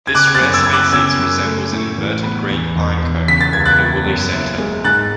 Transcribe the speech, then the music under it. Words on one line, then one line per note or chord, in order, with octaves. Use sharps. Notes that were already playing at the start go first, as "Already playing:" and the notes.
This rare species resembles an inverted green pine cone with a woolly center.
G#6
C#3 D6 F#6
G#6
F#6 A6
F#2
E6 G#6
B3 G#6
D6 F#6
C#3 E6 G#6
F#2
A3
A2
A1
B3
E2
E1
E1
C#3 B6
A6
C#2 G#6
F#6 A6
B3
F#2
F#1
G#3
G#2 F#6 A6